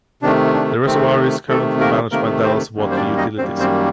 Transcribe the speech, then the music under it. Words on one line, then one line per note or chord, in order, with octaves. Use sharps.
The reservoir is currently managed by Dallas Water Utilities.
C3 D#3 A3 D4
D4
C3 D#3 A3 C4
C3 D#3 A3 A4
A#3 A#4
C3 D#3 A3 A#3 A#4
C4 C5
F#2 D#3 G3 A#3
C5
D4 D5
D#4 D#5
F#2 D#3 G3 A#3 C4 C5
C4 C5